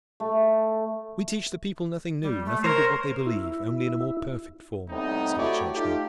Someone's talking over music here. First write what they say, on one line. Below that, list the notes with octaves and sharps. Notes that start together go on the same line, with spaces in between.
"We teach the people nothing new, nothing but what they believe, only in a more perfect form," say the Churchmen.
A3
G3
A3
A#4 C5 C#5 A#5
E4
A2 C3 G3 B3 D#4
A3 E4 F#4 G4 C#5 D5
A3 D#4 F4 G4